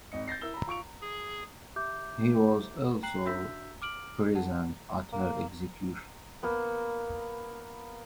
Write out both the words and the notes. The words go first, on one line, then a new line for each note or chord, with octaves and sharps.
He was also present at her execution.
G#1 D#5 C#7
G6 A6 A#6 C7
E4 A#4 E6 G7
A#5 B5
F4 C#6 D7 F7
G#4
G4 E5 D6 G6
G5 A#5 F#6 C7 F#7
D4 F#4 E5 E6 G6 B6
D6 F6 D7 F#7
F#5 A5
A#3
A#3 B3